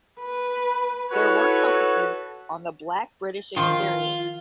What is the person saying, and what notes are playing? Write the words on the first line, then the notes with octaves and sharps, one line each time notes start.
Their work focuses on the Black British experience.
B4
E4 F#4 A4 B4 C#5
D#3 F3 F4